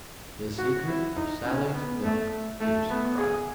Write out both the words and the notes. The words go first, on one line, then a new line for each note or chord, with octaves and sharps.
"The secret of Sally's milk," Peterson cried.
F#4
E4
D#4
C#4
B3
A3
A3
B3
G#4